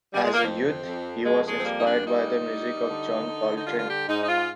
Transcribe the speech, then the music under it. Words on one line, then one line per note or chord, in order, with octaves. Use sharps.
As a youth he was inspired by the music of John Coltrane.
G3
G#3
A#3
F2 C4
F2
F2 G#3
G#3
C4
G3 A#3
D#4
D4
G3 D#4
G3
D3
D3
D#4
G3 F4
F4
G4
G#2 D#4
D#4
F4